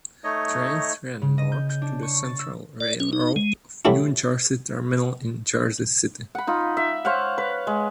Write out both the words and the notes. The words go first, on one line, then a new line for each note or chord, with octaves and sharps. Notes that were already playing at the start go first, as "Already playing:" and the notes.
Trains ran north to the Central Railroad of New Jersey Terminal in Jersey City.
A3 D#4 C#5 D#5
C#3
D#5
G6
G6
D4
C#6
A6
E6
D5
C#4
D#4
G#3
E3 F#3 G3 A3 D4 E4
F#5 B5
D#4 F4
E5
C5 C#5 F5 F#5
B4
G#3